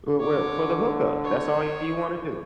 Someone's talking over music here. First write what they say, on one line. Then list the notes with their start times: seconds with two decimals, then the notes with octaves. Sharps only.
Wha where for the hookup, that's all you wanna do.
0.19 D3 C#5 D6
1.24 C#5